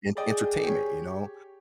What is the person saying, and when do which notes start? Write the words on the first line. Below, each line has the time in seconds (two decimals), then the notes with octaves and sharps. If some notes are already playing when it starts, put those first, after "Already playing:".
en entertainment, you know?
0.17 G#4 D5 D#5 G5
0.64 G4 C#5